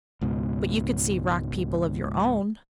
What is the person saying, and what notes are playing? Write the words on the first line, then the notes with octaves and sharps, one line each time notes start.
But you could see rock people of your own.
C#2 G#2 B2